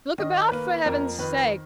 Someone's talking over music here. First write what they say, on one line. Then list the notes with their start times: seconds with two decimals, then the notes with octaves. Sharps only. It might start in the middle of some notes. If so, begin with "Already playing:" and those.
Look about, for heaven's sake!
0.18 D#3 D#5
0.52 A#3 B4
0.86 F2 A#4
1.19 D#3 B4